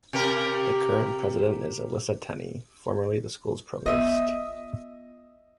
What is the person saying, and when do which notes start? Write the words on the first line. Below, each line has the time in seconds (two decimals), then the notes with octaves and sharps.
The current president is Elissa Tenny, formerly the school's provost.
0.13 C3 G4 A#4
3.86 B3 F4 D#5 E5 D#6